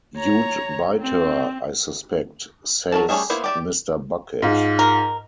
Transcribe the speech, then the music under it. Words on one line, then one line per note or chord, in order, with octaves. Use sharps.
"You'd bite her, I suspect," says Mr. Bucket.
C#5 A#5
C4
F#3 A#4 A5
G3 A3 C#4 G#4 E5
A#3 B3 E4 B4 C5
G4 D5 E5
G#2 F4
A#4